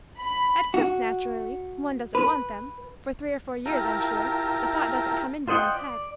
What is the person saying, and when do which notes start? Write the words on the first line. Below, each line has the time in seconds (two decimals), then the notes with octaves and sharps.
At first, naturally, one doesn't want them,--for three or four years, I'm sure, the thought doesn't come into one's head.
0.18 B5
0.74 F#4
2.15 B4
3.66 E4 F4 G4 A#4 A5 A#5
5.48 F4 C5 D#5 F#5 G5
5.73 D5